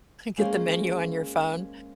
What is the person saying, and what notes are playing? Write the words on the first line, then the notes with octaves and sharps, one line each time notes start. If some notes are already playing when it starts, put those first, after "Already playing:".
get the menu on your phone.
G#3 A#3 C#4 G#4 A#4 C5